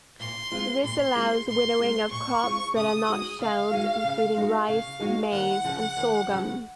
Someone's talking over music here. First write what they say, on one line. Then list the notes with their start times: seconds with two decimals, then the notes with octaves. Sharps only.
This allows winnowing of crops that are not shelled, including rice, maize, and sorghum.
0.20 A#2 C6
0.52 G#3 C4 F4
0.83 A#2 C6
1.15 G#3 C4 F4
1.48 A#2 C6
1.79 G#3 C4 F4
2.11 A#2 C#6
2.43 G#3 C4 F4
2.76 C#3 D#6
3.09 G#3 D#4 F#4
3.39 C#3 F5
3.71 G#3 D#4 F#4
4.04 C#3
4.37 G#3 D#4 F#4
4.68 C#3 F5
5.00 G#3 D#4 F#4
5.32 D#2 F#5
5.64 C#3 F3
5.97 D#2
6.28 C#3 F3